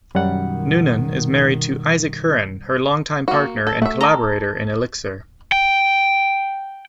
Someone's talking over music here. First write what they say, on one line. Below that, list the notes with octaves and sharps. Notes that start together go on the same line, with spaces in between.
Noonan is married to Isaac Hurren, her longtime partner and collaborator in Elixir.
F#2 B2 D#3 G3 F#5
A#3 F#4
A4
A3 F#4 E5
A4 A#5
G5